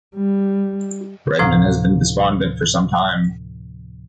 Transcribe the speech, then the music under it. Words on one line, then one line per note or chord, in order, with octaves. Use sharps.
Redman had been despondent for some time.
G3
D2 A2 C3 F3 A#5 D6